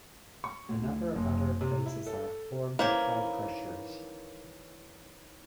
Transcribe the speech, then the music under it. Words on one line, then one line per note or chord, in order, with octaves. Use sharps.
A number of other phases are formed at high pressures.
C#6
D2
F#1
C3
E4
A4
D#3 E3 A#3 C#4 E4 C5 C#5